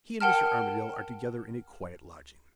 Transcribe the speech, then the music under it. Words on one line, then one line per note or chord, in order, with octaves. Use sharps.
He and Mr. Armadale are together in a quiet lodging.
A#4 F#5 G5 A5 F6